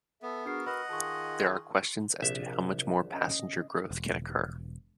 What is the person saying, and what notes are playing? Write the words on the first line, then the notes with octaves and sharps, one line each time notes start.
There are questions as to how much more passenger growth can occur.
B3 A4 E5
D4 F#4 G#4 A#4 C7
B4 D#5 F#5 B5 E6
D#3 F4 G#4 A5 C#6
A#1 C3 E5
C#4 D#5
E1